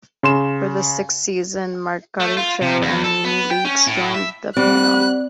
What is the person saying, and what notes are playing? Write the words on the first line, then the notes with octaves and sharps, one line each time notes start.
For the sixth season, Margaret Cho and NeNe Leakes joined the panel.
C#3 C6 E7
A3
F4
C3
E2
A4
B3
G5
C#4
A2
E5
G3 C4 F#6